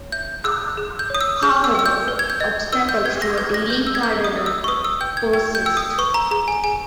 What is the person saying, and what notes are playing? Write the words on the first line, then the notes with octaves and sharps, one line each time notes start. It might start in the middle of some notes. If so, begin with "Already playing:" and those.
However, obstacles to a daily "Cardinal" persist.
Already playing: C#5
E5 G6
G#4 E6
G#4
G6
C#5 D#6
E6
G#4 G6
E6
G5 E6
G6
B4
G#6
G6
D#5
B4 E6
G6
B4 G#6
A#6
B4 G#6
A#6
B4 G6
E6
G#6
B4 G6
D#6
D#5
E6
C#6
B4 D#6
E6
G5 G6
G#6
G5 G#6
G6
G5 E6
D#6
B4 C#6
A#5
G#4 A#5
G#5
G#4 G#5